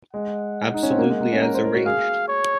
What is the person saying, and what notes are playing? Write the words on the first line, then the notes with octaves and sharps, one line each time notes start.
Absolutely as arranged.
G#3 F#5
D#4
C#4
C4
A#3
G#3
A#3
C#4
A#4
C5
A#4
F#4
G#4 F5
C#5